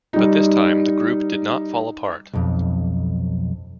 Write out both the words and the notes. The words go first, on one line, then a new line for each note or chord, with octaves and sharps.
But this time, the group did not fall apart.
G3 D#4
B1 F2